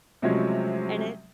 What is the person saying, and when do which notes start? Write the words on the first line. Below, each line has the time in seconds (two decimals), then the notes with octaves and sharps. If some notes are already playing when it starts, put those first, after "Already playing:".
and it
0.22 C3 F3 F#3 G#3 A3 C#4